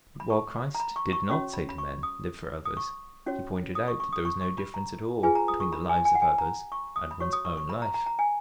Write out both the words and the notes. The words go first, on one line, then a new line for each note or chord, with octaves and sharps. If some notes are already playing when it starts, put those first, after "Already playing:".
But while Christ did not say to men, 'Live for others,' he pointed out that there was no difference at all between the lives of others and one's own life.
B5
C#6
A#5
B5
C#6
C#6
C#4 F#4 C#5 C#6
B5
B5
C#6
D#6
D#6
C#6
C#4 F#4 C#5
D#6
C#6
C#6
D#6
C#6
C#6
B5
A#5
F4 G#4 B4 G#5
A#5
D#6
C#6
B5
G#5
G#5
F#5
G#5
A#5
C#6
D#6
B5
F#4 C#5 C#6
D#6
C#6
C#6
B5
A#5
A#5
A#5
G#5